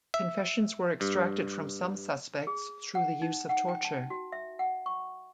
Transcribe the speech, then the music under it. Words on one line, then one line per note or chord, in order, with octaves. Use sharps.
Confessions were extracted from some suspects through the use of torture.
E5
G2
G#4
F#5
D#4
F#5
G5
A5
F#4
E5
F#5
C#6